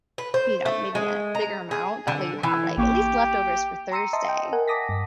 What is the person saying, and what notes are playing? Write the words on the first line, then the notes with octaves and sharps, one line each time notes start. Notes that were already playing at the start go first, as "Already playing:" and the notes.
you know, maybe a bigger amount, that way you have, like at least leftovers for Thursday.
B4
C5
A3
G#3
A#5
G#4
D3
E3
A1 A#3 G4 C#6
A#5 C6 E6 A#6 C#7 D#7
D#5 E5 A5 C6 D#6
G5
A#4 F#5 G#5
A5 D6 D#6 A#6 B6
G2